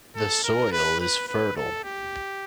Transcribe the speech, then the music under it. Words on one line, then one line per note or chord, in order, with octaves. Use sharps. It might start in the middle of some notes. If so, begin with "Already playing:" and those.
The soil is fertile.
A4
A#4
B4
B4
B4
A4
G4